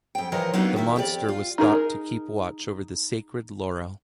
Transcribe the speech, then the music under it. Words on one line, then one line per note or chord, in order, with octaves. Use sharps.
The monster was thought to keep watch over the sacred laurel.
F2 G5
E3 F3 A#4 C#5 D#5
F#3 A#3 B3 D4 D#4 F4
D#3 E4 E5
F2 G4 G#4 D5
F4
D#4 G#4 A#4